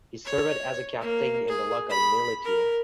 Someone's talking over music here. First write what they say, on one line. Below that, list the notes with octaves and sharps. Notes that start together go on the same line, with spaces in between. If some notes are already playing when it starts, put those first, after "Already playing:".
He served as a captain in the local militia.
C#5
A#3
G#4
B5
A#4